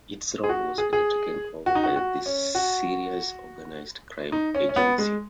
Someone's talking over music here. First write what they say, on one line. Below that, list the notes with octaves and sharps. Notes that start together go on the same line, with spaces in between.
Its role was later taken over by the Serious Organised Crime Agency.
G#4
F#4
G#4
G#4
F#4
D#4
F#4
F#4
C#4
F#4
D#4
C#4
C#4
B3
G#3